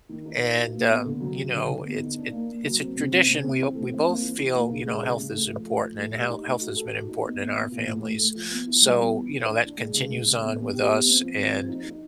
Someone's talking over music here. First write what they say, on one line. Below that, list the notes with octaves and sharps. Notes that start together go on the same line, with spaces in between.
and, um, you know, it's it it's a tradition we o we both feel, you know, health is important and how health has been important in our families. So, you know, that continues on with us, and,
D#3
D#4
B4
F#4
A#3
B3
D3
F#3
F#3
D3
D3
B3
D#4
D4
A#3
A#3
F#3
C4
C3
C4
C3
C4
E3
A3
C4
A#3
E3
E3
A#3
C#3
G#3
C#3
C#3
A3
F3
A3
F3
A3
G4
D#4
A3
F#4
A4
F#4
D#4
B3
B3
B3
A#2
A2
A3
A3
F3
B3
E4
G3
B3
E3
E3
D4
D4
G#3
C#3
G#3
C#3
B3
B3
G4
B3
C4
F3
C4
F3
D#4
D#4